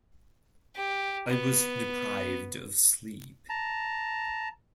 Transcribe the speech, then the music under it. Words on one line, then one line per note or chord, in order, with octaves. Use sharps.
I was deprived of sleep.
G4
B3
A5 A#5